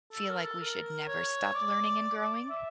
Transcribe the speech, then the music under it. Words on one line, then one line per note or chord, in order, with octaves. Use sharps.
feel like we should never stop learning and growing
A4
A#4
A4
A#4
C#5
D5
E5